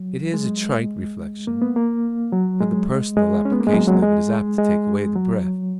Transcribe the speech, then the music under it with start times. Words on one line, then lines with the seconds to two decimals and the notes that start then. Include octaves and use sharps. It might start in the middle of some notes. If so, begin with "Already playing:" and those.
It is a trite reflection, but the personal application of it is apt to take away the breath.
Already playing: F#3
0.34 G#3
1.47 A#3
1.62 B3
1.76 A#3
2.32 F#3
2.61 G#3
3.17 G#3
3.45 C#4
3.52 B3
3.60 A#3
3.67 G#3
3.74 F#3
3.87 F#3
4.02 G#3
4.58 G#3
5.15 F#3